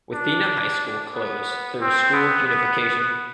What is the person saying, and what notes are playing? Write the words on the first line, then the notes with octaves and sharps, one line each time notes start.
Wathena High School closed through school unification.
D4
B3
C4
B3
B3
B3